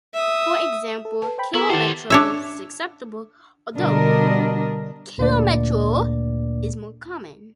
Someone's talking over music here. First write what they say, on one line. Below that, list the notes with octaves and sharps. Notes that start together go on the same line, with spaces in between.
For example, "kilometro" is acceptable, although "kilometro" is more common.
E5 D#6
A4
B4 A5
C5 G5 B5
B3 E4 A4 A#4 A#5 C#6
D#3 E4 G4 C5 D5 F#5 A5
D4 C#5 E5
B2 D3 G3 D4 A#4 D#5
D2 A#2 A#3 D4 D5